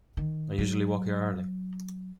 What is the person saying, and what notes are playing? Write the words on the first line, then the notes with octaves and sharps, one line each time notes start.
I usually walk here early.
D#3
F#3